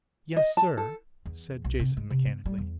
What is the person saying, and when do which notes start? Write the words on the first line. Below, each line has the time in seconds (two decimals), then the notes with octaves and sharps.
"Yes, sir," said Jason mechanically.
0.36 D#5
0.57 A5
0.77 A4
1.25 E2
1.64 B1
1.80 C3
1.97 G#3
2.10 C3
2.26 B3
2.46 G3
2.58 E2